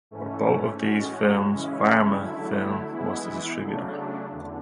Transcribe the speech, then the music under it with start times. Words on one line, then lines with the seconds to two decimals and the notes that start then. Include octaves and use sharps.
For both of these films Varma Films was the distributor.
0.11 G#2 E3 A3 C#4
0.81 A2 G#3 C#4 F#4
1.50 C#3 E3 G#3 C#4 E4
2.21 D3 F#3 A3 E4
2.90 E3 G#3 B3 E4
3.61 C#3 F#3 A3 D4
4.30 E2 D3